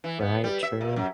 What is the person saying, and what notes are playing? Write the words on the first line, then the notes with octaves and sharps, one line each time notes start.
Right, true.
E3
B3
G3
E5
A#2
F#2